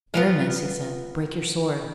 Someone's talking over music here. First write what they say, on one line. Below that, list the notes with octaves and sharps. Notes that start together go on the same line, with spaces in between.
"Aramis," he said, "break your sword."
B3 F4 F5